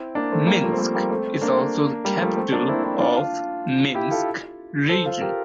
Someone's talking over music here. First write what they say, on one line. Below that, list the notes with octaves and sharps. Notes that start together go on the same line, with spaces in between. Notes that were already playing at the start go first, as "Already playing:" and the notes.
Minsk is also the capital of Minsk Region.
Already playing: C4 E4
A#3 D4
A3 C4
G3 A#3
F3 A3
C4
G3 A#3
G3 A#3
A3 C4
A#3 D4
G3 A#3
F3 A3
A3 C4
A#3 D4
C4 E4
C4 E4
D4 F4
D4 F4
E4 G4
F4 A4
A4 C5
F4 A4
G4 A#4